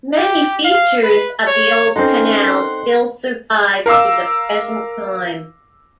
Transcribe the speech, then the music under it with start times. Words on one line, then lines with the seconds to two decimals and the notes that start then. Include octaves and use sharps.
Many features of the old canal still survive to the present time.
0.18 G4
0.64 F5
1.03 B4
1.47 C#5
1.96 C4 C#4 D#4 A4 A#4 D5 F#5 C6
3.86 A#4 F5 D6 E6